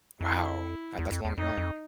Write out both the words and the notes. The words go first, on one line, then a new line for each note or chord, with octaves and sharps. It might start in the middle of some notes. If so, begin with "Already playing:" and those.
Wow. That that's a long time.
F2 E4
E2
F2
E2
F2 D#4
F2